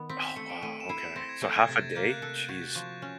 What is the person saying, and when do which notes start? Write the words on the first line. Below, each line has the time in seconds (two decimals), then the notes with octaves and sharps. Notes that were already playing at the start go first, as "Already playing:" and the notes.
Oh, wow. Okay, so half a day? Jeez.
Already playing: D#3 B3
0.09 C4 B6
0.23 B6
0.36 A3 C#7
0.50 D7
0.62 A3 D#7
0.80 E7
0.89 E4 C7
0.98 B6
1.16 C4 A#6
1.29 G#6
1.42 A3 G6
1.56 G#6
1.69 C3 A6
1.82 G#6
1.95 A#3 G6
2.09 F#6
2.22 A4 F#6
2.35 G6
2.49 F#4 G#6
2.62 G6
2.75 F3 C#6
3.02 C#4